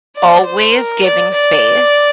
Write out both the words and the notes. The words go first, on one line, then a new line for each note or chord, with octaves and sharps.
always giving space.
D5
C5
A#4
D5
D5